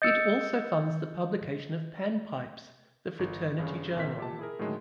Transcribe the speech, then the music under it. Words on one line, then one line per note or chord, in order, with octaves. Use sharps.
It also funds the publication of Pan Pipes, the fraternity journal.
D#5 E6 G6 A6 C#7
G1
G1 G2 C#3
A#1 C4 A#4 C5 E5 B6
A#2 G4 A5
E4 G#4 A#4
A2 D3 D#3 F#3 G#3 A3